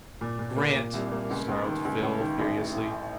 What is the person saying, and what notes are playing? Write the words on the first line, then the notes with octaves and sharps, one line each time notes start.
"Grant!" snarled Phil furiously.
A#2
A#2
A#3
A#2
C2
A#3
C#2
C#2
D#3
C#2
C#2
D#3
A1
A2
A2